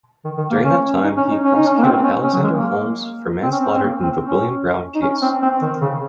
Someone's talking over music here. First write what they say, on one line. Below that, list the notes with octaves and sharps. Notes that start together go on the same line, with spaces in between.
During that time, he prosecuted Alexander Holmes for manslaughter in the "William Brown" case.
D#3
D#3
A#3
C#4
D#4
C#4
D#4
C#4
D#4
C#4
A#3
C4
C#4
C#4
F#3
G#3
A#3
C4
C#4
C4
C#4
C4
A#3
C4
C#4
D#4
C#4
C4
C4
D#3
C#3